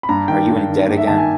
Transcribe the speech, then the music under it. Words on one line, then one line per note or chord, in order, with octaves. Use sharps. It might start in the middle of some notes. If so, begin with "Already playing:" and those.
Are you in debt again?
B5
G2 A#5
D#3 G5
G2
D#3
G2
E5
D#3 A5
G#5